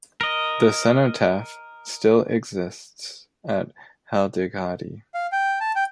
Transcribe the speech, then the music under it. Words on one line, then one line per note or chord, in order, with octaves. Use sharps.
The cenotaph still exists at Haldighati.
A#4 D#5
F5
G5
A5
G5